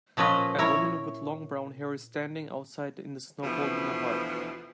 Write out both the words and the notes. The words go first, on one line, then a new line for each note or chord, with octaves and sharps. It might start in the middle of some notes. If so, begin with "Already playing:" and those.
A woman with long brown hair is standing outside in the snow holding a harp.
A#2 F3 C#4 B4 D#5
E4 A#4 C#5
D2 B2 E3 F3